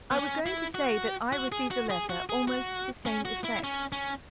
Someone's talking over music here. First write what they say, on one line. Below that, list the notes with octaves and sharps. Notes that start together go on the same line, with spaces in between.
"I was going to say that I received a letter almost to the same effect."
B3
C#4
E4
F#4
F#4
G#4
F#4
G#4
F#4
G#4
F#4
C#4
F#4
E4
C#4
C#4